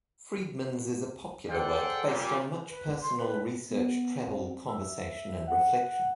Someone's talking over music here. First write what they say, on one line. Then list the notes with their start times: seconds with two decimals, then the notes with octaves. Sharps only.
Friedman's is a popular work based on much personal research, travel, conversation, and reflection.
1.48 G#4 A4 C5 D5 F#5 G5
2.06 A#2 G3
2.70 B4
3.01 C6
3.18 B4
3.70 B3
4.24 C4
4.68 E5
5.48 F#5